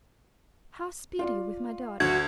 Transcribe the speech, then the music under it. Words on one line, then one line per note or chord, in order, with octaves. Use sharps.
"How speed you with my daughter?"
F4 D5 F5
D2 F#4 G#6